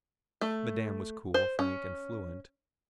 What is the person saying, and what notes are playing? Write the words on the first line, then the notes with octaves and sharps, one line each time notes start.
Madame was cool, frank, and fluent.
A3
C5
C#4